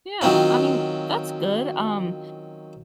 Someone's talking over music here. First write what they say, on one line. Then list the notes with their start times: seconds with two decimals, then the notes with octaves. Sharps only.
Yeah, I mean, that's good. Um,
0.21 D#3 F#3 C4 C#4 F4